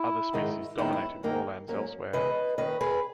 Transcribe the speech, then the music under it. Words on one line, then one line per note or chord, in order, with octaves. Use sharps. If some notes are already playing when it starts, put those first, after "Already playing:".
Other species dominate in moorlands elsewhere.
Already playing: E4
G#2 D#3 G#3 D#4
F#2 D#3 G#3 B3 D#4 E4
E4
E2 D#3 A#3 D#4
G#2 F#3 A#3 C#4
C#3 E3 G#3 B3 B4 D#5
D#3 A#3 C#4 B4 D#5
G#4 B4